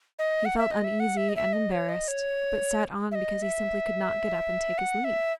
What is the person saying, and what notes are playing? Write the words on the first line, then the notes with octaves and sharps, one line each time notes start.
He felt uneasy and embarrassed, but sat on because he simply could not get up and take his leave.
D#5
F#5
E5
D#5
E5
F#5
E5
D#5
E5
D#5
C#5
D#5
C#5
E5
D#5
E5
F#5
E5